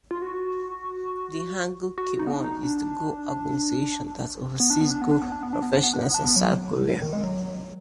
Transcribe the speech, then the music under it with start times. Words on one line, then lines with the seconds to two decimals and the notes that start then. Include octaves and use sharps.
The Hanguk Kiwon is the Go organization that oversees go professionals in South Korea.
0.11 F4
0.22 F#4
1.98 F#4
2.19 D#4
2.27 B3
2.33 D4
2.41 D#4
2.63 D4
4.60 B3
4.70 D4
4.81 B3
4.91 D4
5.02 B3
5.11 D4
5.21 B3
5.32 D4
5.43 B3
5.53 D4
5.62 B3
5.73 D4
5.83 B3
5.93 D4
6.04 B3
6.14 D4
6.24 B3
6.36 F#3
7.02 D#3
7.13 G#3
7.24 F#3